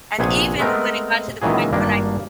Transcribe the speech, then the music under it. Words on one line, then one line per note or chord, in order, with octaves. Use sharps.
And, even when it got to the point when I
A#1 C3 B3 G#4 C#5
G#3 A3 B3 C4 A#4
C#2 A#2 D#3 E3 F#3 G#4
G#1 G2 A#3 D4